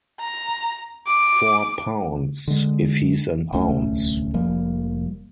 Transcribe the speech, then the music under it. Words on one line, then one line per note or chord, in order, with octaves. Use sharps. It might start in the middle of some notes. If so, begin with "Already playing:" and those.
Four pounds if he’s an ounce.
A#5
D6
D3 G#3
D1 C2 A3 C#4
F1 F3 G3 A#3